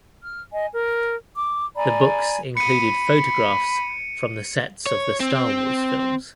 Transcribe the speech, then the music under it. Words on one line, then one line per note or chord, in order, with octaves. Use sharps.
The books included photographs from the sets of the Star Wars films.
F6
D#5 G#5
A#4
D6
D5 G#5 A#5 B5
B5 C#7 D#7
C#5
C4